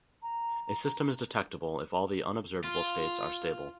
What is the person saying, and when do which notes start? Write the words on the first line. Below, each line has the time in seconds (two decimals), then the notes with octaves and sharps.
A system is detectable if all the unobservable states are stable.
0.23 A#5
2.64 F4